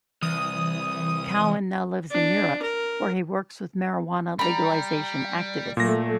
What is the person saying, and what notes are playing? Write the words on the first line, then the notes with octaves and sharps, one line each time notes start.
Cowan now lives in Europe where he works with marijuana legalization activists.
C2 E3 D#6
D4
A#4
G3 A#5 B5
A#2 F#3 A3 A#6